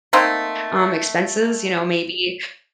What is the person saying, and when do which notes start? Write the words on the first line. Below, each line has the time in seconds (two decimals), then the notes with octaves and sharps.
um, expenses, you know, maybe,
0.13 A3 A#3 C4 D#4